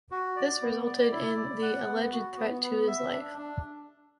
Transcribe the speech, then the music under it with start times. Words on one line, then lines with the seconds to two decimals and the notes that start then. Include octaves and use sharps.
This resulted in the alleged threat to his life.
0.11 F#4
0.36 D5
0.61 B3
0.86 D5
1.12 E4
1.37 D5
1.62 F#5
1.87 B3
2.12 F#4
2.37 B3
2.62 B3
2.87 E5
3.12 D4
3.38 D4